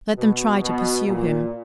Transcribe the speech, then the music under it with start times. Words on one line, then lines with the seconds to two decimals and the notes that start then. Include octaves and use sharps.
Let them try to pursue him!
0.16 B2
0.61 B2
1.07 A#2